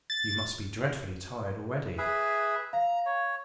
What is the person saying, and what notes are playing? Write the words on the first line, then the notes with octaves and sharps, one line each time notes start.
'You must be dreadfully tired already.'
A6
G#4 B4 E5
F5 A#5
C#5